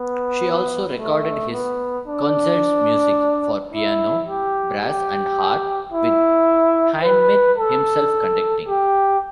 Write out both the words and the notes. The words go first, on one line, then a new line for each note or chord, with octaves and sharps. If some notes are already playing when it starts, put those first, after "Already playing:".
She also recorded his Konzertmusik For Piano, Brass and Harp with Hindemith himself conducting.
Already playing: B3
A3
B3
D4
E4
G4
G4
E4
B4
A4
G4